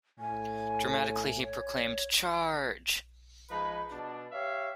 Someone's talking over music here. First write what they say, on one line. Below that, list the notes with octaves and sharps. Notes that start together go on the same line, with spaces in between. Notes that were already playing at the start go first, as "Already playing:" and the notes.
Dramatically he proclaimed, "Charge!".
A2 G#5
C#5
F3 G#3 D#4 B4 B5
B2 D4
G4 C#5 E5 F5